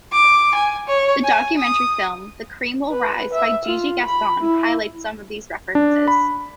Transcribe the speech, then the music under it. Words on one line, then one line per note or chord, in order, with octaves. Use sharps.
The documentary film “The Cream Will Rise” by Gigi Gaston highlights some of these references.
D6
G#5
C#5
G#5
D#6
B4
E5
F4
B5
E4
D4
B5